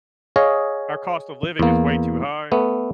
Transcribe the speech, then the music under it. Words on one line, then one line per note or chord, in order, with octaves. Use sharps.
our cost of living is way too high,
G#4 C#5 D#5 F5
E2 A#3
A3 B3